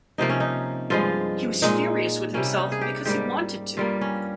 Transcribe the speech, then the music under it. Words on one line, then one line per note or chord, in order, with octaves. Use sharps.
He was furious with himself because he wanted to.
C3 F3 A#3 D#4
C#4
D#4
G2 F3 G#3 F4
A#2 G#3 D#4
C3 G3 A#3 C#4
D#4
G#4
G4
G#2 G3 A#3 G4
G2 G3 A#3 F4
C#4